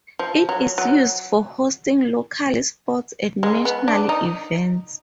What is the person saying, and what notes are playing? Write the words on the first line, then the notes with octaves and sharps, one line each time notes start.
It is used for hosting local sports and national events.
F3
F#3
F#3
G#3
B3
D4
D#4